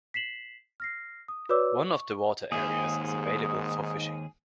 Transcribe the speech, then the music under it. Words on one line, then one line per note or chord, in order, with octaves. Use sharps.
One of the water areas is available for fishing.
B6 C7 E7 F#7
F6 A#6 C7
D#6
F#4 B4 C#5 D5 D6 E6
C#6
D#2 G#2 G#4